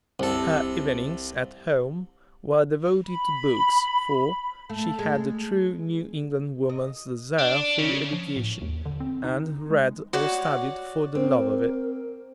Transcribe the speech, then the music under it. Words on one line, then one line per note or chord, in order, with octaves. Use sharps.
Her evenings at home were devoted to books, for she had the true New England woman's desire for education, and read or studied for the love of it.
C2 A4
B5
A3
G#3
D#5
D4
C#3
F3
A2
D#2
D3
C4
D#4
G#3
F#4 C#5 D5
C4 A#4